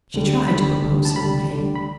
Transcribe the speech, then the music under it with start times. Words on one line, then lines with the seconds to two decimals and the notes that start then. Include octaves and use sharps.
She tried to oppose him in vain.
0.14 D2 D3 G3
0.48 D2 D3 G3 B5
0.83 D2 D3 G3
1.05 A5
1.16 D2 D3 G3 B5
1.50 D2 D3 G3
1.76 B5